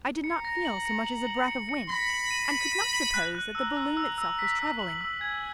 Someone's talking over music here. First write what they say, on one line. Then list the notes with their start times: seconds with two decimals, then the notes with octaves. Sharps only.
I did not feel so much as a breath of wind, and could not suppose that the balloon itself was travelling.
0.24 A#5 C#7
0.45 A#6
0.65 F#7
0.86 C#7
1.06 F#7
1.27 F#7
1.48 C#7
1.69 C#7
1.89 B5 A#6
2.10 F#7
2.31 D#7
2.51 F#7
2.72 D#7
2.93 F#7
3.14 F#6
3.35 F#6
3.55 A#5 E6
3.77 E6
3.97 E6
4.18 E6
4.39 B6
4.59 E6
4.79 F#7
5.01 E6
5.21 G#5 G#6